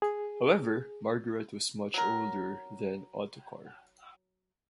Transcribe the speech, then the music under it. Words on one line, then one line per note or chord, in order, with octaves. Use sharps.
However, Margaret was much older than Ottokar.
G#4
F#3 A#4